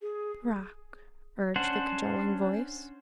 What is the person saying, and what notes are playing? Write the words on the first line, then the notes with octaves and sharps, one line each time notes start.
"Rock..." urged the cajoling voice.
G#4
C#4 D4 C5 F#5